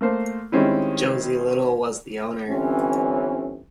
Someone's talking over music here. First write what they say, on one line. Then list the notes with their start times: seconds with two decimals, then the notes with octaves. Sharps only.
Josey Little was the owner.
0.01 A3 A#3 C5
0.52 D#3 G3 G#3 C4 C#4 E4
2.49 G1 E3 C4 C#4